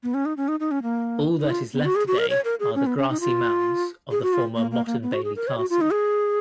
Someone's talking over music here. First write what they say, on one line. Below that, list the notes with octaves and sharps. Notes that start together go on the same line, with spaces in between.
All that is left today are the grassy mounds of the former Motte-and-Bailey castle.
B3
C#4
D#4
C#4
D#4
D#4
C#4
A#3
D#4
F4
B3
F#4
G#4
F#4
A#4
C#5
A#4
G#4
C#4
B3
C#4
D#4
F4
G#4
F#4
F4
A#3
A#3
A#3
B3
F#4
G#4
A#4
C#5
F#4
F4
D#4
G#4